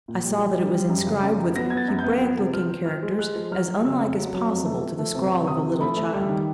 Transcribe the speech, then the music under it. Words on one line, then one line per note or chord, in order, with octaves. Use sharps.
I saw that it was inscribed with Hebraic-looking characters as unlike as possible to the scrawl of a little child.
A#2
G3
G3
G3
G3
F#2
C#3
F#2
F#3
B3 A#6
B3 G#6
A6
F#2
G6
B3
F3
C3
F3 F6
F3
F3 F6
G#3
G#3 F#6
F3
F#3 F6
F#3
C#3 E6
F2
F#3
F#3
F2
A3
F3
A3
C3
C3
C3 D#6
F3
A3 B5
A3
G3
D#3